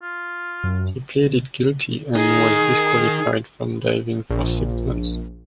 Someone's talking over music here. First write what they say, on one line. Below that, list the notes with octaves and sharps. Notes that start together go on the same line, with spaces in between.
He pleaded guilty and was disqualified from driving for six months.
F4
F#2
D#3 D#4 G#4
A#1